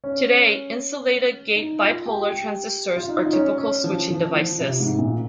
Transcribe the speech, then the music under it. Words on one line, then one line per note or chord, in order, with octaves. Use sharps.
Today, insulated gate bipolar transistors are typical switching devices.
C#4
D#4
F4
G4
G4
F4
D#4
F4
D#4
C#4
C#4
F3
F3
F3
C3
G#2
A#2